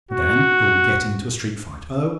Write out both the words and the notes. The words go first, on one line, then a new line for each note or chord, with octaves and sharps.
And then you'll be getting into a street fight--oh!
F#4